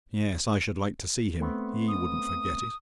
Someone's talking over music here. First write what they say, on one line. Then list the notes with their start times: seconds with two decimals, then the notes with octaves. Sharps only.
Yes, I should like to see him. He wouldn't forget it.
1.41 A3 B3 C4
1.88 D#6